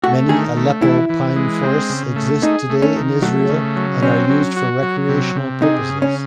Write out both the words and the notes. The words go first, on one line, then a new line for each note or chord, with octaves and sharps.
Many Aleppo pine forests exist today in Israel and are used for recreational purposes.
A3 F#4
D#3 G#4
A3
E3 E4
E3
G#3
C4
C#3
A3
D#4 G#4
A3
C#4
D#3
F#3 A3
C#3
F#3
C4 C#4
F#3
F#4
F#3
C3
C3
D#4 G#4
C#3
C#4